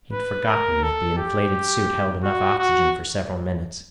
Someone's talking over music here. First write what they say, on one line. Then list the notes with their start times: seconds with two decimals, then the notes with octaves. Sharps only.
He'd forgotten that the inflated suit held enough oxygen for several minutes.
0.12 B4
0.48 A#4
0.83 A4
1.18 G4
2.23 F#4
2.59 F#4